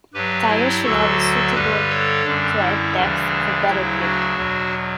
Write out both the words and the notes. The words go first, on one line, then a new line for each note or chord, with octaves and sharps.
Tires should have a suitable tread depth for better grip.
G2 F#3 G4 B4
E4 G4
D2 D3 F#3 F#4 A4
G2 D3 G3 G4 B4
A4 C#5
F#2 D3 G3 D4
E4
D2 C#3 E3 G3 D4
D2 C#3 F#3 E4
D4 F#4
E2 B2 F#3